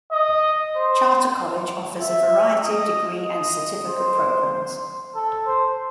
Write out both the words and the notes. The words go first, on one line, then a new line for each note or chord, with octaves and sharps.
Charter College offers a variety of degree and certificate programs.
D#5
C5
E5
D#5
D#5
C5
A4
C5